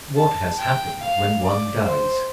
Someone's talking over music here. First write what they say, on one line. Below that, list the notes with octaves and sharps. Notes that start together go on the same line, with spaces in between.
What has happened when one dies?
A5
G5
F5
D5
C5